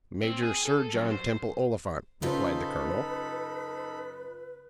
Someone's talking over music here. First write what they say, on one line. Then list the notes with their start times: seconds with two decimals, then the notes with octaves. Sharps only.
"Major Sir John Temple Oliphant," replied the colonel.
0.24 C4
0.42 G#4
0.65 A4
0.93 F#2
1.11 C5
2.22 F#2 C#3 D#4 F4 A4 B4 C5 B5